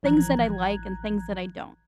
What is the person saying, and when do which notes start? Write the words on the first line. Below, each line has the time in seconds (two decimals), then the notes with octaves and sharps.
things that I like and things that I don't.
0.03 A1 E3 F3 A#5 F#6 G#6